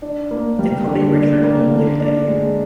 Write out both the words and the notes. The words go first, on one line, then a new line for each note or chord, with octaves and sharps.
The Company returned home later that year.
D4
A#3
G3
D3
D4
A#3
D3
D4
G#3